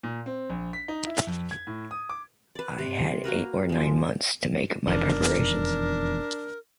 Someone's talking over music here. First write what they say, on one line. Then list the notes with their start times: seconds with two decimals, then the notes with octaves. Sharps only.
I had eight or nine months to make my preparations.
0.03 A#2
0.26 C4
0.50 A#1
0.73 B6
0.88 D#4
1.06 E4
1.27 F2
1.51 G#6
1.67 A2
1.91 D#6
2.09 D6
2.55 B4 D5
2.78 C3
3.24 A#3 F#4 A#4 B4
3.69 F3 G#3
4.87 E1 F2 D#3 D4 A#4